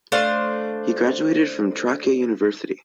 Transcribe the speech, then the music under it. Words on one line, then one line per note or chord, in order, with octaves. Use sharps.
He graduated from Trakya University.
A3 D4 C5 F5